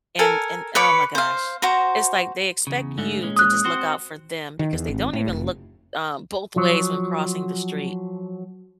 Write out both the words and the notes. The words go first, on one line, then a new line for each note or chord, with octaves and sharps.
and and oh my gosh, it's like they expect you to just look out for them because they don't even look, um, both ways when crossing the street.
A4 A#4 G#5
B4 C#5 C#6 D6
C5 F5
F#4 C5 A#5
E2 C#3
G#2 D3 A3
A#2 G#3 C#4
D#6 F#6
C4 F#4 C5
D#3
E2
G#1
A2
F1
F3 F#3